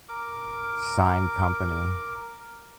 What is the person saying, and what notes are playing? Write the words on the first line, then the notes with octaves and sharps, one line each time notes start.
Sign Company.
A#4 D6